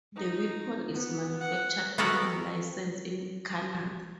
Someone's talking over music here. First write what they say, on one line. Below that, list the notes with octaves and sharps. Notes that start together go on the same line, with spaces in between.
The weapon is manufactured under license in Canada.
D#4
B3
F#5
B3 F#4 A4 A#4 F#5